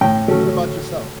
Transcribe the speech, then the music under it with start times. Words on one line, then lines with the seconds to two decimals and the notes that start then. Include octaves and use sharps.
what about yourself?
0.01 A2 G5
0.28 F#3 A3 C#4